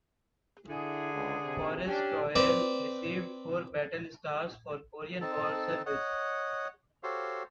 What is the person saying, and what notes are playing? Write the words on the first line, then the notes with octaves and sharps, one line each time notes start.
"Forrest Royal" received four battle stars for Korean War service.
D3 E4 G#4
C#2
C3
C#4 D4 G4
C4 B4 D5
C4 D#4 A4 A5
C#5 D#5 F#5
F#4 G4 A4 C5 C#5 F5